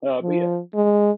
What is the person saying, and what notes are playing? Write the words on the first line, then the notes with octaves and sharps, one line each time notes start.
Uh, but yeah. M
F3
G#3